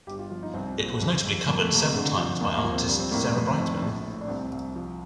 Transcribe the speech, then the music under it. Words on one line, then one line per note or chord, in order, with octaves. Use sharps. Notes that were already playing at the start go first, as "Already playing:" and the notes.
It was notably covered several times by artist Sarah Brightman.
G1 G4
F4
F3 F4
D#4
C2 C4
A#2
F2
F2
F2 A#3
A3
C3 A#3
D3
F3
D#2 A#3
A#3
F3
C4
G3 D4
C4
A2 A#3
A3
F2 A#3
C4
F2 D#4
D4
A#1
A2
D4
C2 C4
C2
F3